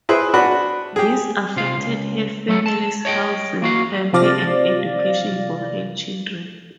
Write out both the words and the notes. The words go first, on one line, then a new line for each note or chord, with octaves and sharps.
This affected her family's housing, health and education for her children.
E4 G#4 B4 C5
D4 F#4 B4 F#5 B5
G4 G#4
C3 F4 F5
C#2
F#3 A3 A4
A5
C#5 D#5 F#5 G5
A#3 F#4 F5
C3 F3 D5 F5 A6 A#6